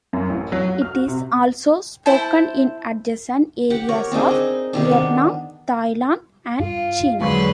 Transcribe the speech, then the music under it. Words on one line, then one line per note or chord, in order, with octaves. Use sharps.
It is also spoken in adjacent areas of Vietnam, Thailand and China.
F#2
A1
F#3
F#4
F6
F#4
C3
E4 C5 A5
G4 F#5
A#4 C#5
C4 D4 D#4 G#4
D#4 D#5
C3 D#3 D4
B3
G2 F4 F5
E2 D3 F#3 G#3 G#4 B4 C6 C#6